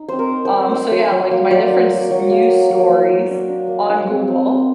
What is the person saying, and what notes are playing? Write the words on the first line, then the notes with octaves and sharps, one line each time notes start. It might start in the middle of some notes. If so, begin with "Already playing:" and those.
Um, so, yeah, like, my different s news stories on Google,
Already playing: D#4
C4 C5
A#4
D#4
C5
C4
D#4 C5
F#3
F#3
A#3
F#3 D5
F#3
F#3
F#3
A#3
A#3
F#3
A#3
F#3
D4
D4
A#3
D#4
C4
C4
C4